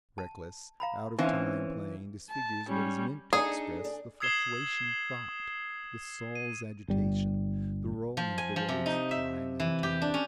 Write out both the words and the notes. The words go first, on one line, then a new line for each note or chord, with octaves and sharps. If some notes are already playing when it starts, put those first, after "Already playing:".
Reckless, out-of-time playing disfigures what is meant to express the fluctuation of thought, the soul's agitation, the rolling of the waves of time and eternity.
A5
F5 A#5 B5
E3 C4 C#4 D#4 F5
A5
G3 C#4
D4 D#4 G#4 A4
D4
D#6 E6 G#6 C7 E7 G7
D#7
G1 G3
F3
G#5
F3
C3
D#4
E5
E3
G4
D4
C#4